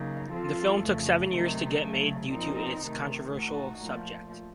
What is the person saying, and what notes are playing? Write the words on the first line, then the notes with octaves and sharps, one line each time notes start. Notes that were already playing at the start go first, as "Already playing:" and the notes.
The film took seven years to get made due to its controversial subject.
Already playing: C#3 F#3 A#3 D#4
F3 C4 F4 A4
F2 C#3 A3
C3 D#3 F#3 A3 D#4
C#3 F#3 A3
A#2 F3 C4 D#4 A#4
C3 D#3 A3
A2 A3 D#4 F#4
A#2 F3 A3